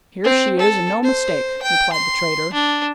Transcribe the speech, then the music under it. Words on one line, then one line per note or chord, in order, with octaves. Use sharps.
"Here she is, and no mistake," replied the trader.
C4
A4
C5
G5
C6
D4